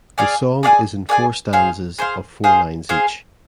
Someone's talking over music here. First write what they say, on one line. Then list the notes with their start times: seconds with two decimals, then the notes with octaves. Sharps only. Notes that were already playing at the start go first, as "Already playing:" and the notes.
The song is in four stanzas of four lines each.
0.18 G#4 D5 F5 G#5
0.63 G#4 D5 F5 G#5
1.09 G#4 D5 F5 G#5
1.53 G#4 C5 F5
1.98 G#4 C5 F5
2.44 G#4 C5 F5
2.89 G#4 C5 F5